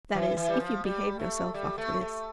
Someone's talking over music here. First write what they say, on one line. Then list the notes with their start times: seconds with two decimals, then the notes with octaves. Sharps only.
"That is, if you behave yourselves after this."
0.14 E3
0.37 E3
0.49 G3
0.60 F3
0.85 G3
1.19 A3
1.54 G3
1.78 A3
2.01 A3